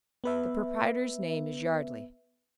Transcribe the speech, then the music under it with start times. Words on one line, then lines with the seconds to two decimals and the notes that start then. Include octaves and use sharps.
The proprietor's name is Yardley.
0.24 B3 B4 E5